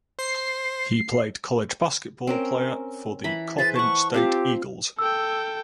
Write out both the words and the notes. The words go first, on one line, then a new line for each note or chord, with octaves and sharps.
He played college basketball player for the Coppin State Eagles.
C5 C7
C4 C#4 A#4
E3 A#5 B5
G#4 B4 C5 A6
F#5 A5 C#6
C4 F4 G4 F5
A4 G5 E6